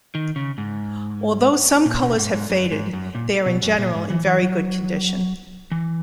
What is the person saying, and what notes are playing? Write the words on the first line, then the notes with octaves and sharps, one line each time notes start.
Although some colours have faded, they are in general in very good condition.
D#3
C#3
G#2
A#2
B2
G#2
G#2
F#2
G#2
F#2
A#2
B2
F#2
A#2
G#2
E3
E3
F#3
E3